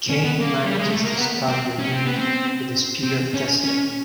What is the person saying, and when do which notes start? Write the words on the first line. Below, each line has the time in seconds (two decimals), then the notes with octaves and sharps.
Cain manages to stab Renee with the Spear of Destiny.
0.09 C#4
0.24 B3
0.40 A#3
0.66 G3
0.78 G#3
0.91 A3
1.05 A#3
1.18 B3
1.48 C4
1.79 C#4
1.93 C4
2.06 B3
2.19 C4
3.03 C4
3.34 C#4
3.64 C#4